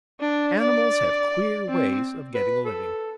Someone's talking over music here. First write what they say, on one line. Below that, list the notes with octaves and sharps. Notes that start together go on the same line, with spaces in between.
Animals have queer ways of getting a living.
D4
D5
C4
B4
A4